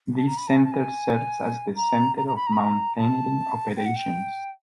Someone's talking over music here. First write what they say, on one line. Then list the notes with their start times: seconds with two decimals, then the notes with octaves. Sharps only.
This center serves as the center of mountaineering operations.
0.17 A5
0.28 A#5
0.37 B5
0.48 A5
0.57 G#5
0.65 A5
0.72 G#5
1.76 A#5
2.17 A#5
2.27 A#5
2.36 B5
2.47 A#5
2.52 B5
2.57 A#5
2.97 A5
3.77 G5
3.86 F#5
3.96 G5